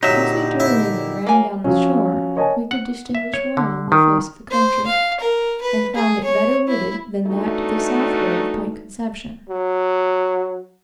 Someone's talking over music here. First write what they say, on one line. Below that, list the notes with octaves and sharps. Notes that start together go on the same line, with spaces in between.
As we drew in, and ran down the shore, we could distinguish well the face of the country, and found it better wooded than that to the southward of Point Conception.
A#2 D3 F#3 D#4 G4 E5
E4
F#3 A#3 G#5
F3 F#3 C#4
A#4 C#5 D#5 F#5 G#5 A5
F#5
E5
C#5
D3
D#3
C5
F5
A#4
B4
G#4
C#5
E4
E3 A3 D4 D#4 F#4 A4
F#3